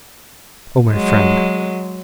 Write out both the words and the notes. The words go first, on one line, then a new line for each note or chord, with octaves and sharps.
Oh, my friend!
F#3 G#3